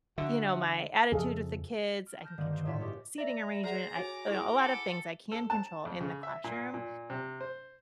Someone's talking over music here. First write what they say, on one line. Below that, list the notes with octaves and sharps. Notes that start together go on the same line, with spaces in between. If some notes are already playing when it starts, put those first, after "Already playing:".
you know, "my attitude with the kids, I can control the seating arrangement, I a lot of things I can control in the classroom,"
D3 F#4 E5 E6
F2 C#3 F3 G#4 A4 F5
F6 D7
A5 F6 G6 A#6
G2 D3 D#3 G#3 A#3
C5
A2 C#3 F4 C#5 E5
G2 G#3 C#4 F#4 G4
D5 E5 A#5
G#4 C5 F#5 A#5
F#4 C#5 G#5 D6
D#4 E4 G#4
A4 F#5 G#5 B5
A4
A5
F2
C#3
E5
A#2
A#2
C3
C5